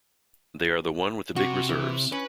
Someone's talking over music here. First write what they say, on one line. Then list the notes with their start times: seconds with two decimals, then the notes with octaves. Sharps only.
They are the one with the big reserves.
1.36 C3 F#4
1.69 E3
2.12 C#4 B4